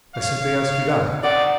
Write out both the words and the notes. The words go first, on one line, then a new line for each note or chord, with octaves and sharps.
I simply ask you that.
C#5 F5
A3 C4 D#4 D5 F#5